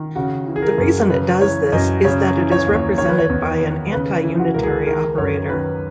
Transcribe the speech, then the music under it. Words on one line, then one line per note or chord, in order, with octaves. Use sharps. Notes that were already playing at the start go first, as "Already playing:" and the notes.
The reason it does this is that it is represented by an anti-unitary operator.
Already playing: D#3
C#3 F#4
E3
G#4
A#4
F#2
C#3 B4
E3 C#5
F#2 D#5
C#3 C#5
E3
C#5
D#2
C#5
D#3 C#5
B4
C#5
E2
D#3
C#3 B4
E3
F#4
C#2 A#4
G#4
D#3 A#4
F#2 C#5
D#3 B4